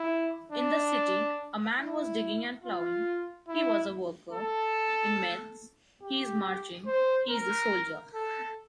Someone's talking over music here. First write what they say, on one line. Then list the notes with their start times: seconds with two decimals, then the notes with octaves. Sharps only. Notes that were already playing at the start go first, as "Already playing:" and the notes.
In the city, a man was digging and plowing: he was a worker; in Metz, he is marching: he is a soldier.
Already playing: E4
0.52 D4
1.78 E4
2.63 F4
3.48 E4
4.33 A4
6.02 G4
6.86 C5
7.30 A#4
8.14 A4